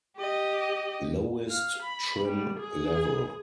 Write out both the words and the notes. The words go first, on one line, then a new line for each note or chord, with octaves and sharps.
Lowest trim level.
G4 D#5
F5
B5
G3
G#4